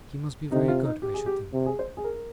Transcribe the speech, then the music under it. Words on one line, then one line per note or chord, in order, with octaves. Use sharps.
He must be very good, I should think?'
C3 D#4
F4
D#4
G4
G#4
G4
C3
G#4
C5
G#4
A#4